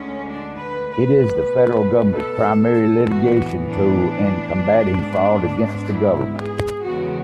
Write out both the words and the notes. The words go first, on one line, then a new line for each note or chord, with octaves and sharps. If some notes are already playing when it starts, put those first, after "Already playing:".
It is the federal Government's primary litigation tool in combating fraud against the Government.
Already playing: D2 D3 G#3 C#4
D4
B4
B4
B2 A3
A4
A2 E3 B3 F#4
D4
G#2 G#3 B3
E4
G#4
E2 C#3 G#3 B3 F#4